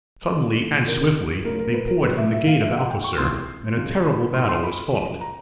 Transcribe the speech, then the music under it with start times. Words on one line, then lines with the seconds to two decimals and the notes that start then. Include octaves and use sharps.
Suddenly and swiftly they poured from the gate of Alcocer, and a terrible battle was fought.
0.29 G2 E3 A4
0.87 E2 C3 D#3 A#4
1.45 D2 C#3 F#3 A#4
1.59 A#4
1.74 B4
1.88 A#4
2.03 C2 B2 F#3 B4
2.17 E5
2.32 E5
2.47 F5
2.60 D#2 D3 F3 E5
2.70 F5
2.80 F#5
2.90 G5
3.04 C#6
3.18 C#2 C3 E3 C6
3.77 C#2 C#3 F#3
4.06 B5
4.34 G#2 E3 C6
4.49 C6
4.63 B5
4.93 F#2 C#3 F3
5.21 A#5